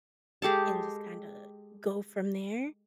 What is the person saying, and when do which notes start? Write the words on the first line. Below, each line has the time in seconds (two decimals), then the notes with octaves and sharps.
and just kinda go from there.
0.42 G#3 G4 A4 A5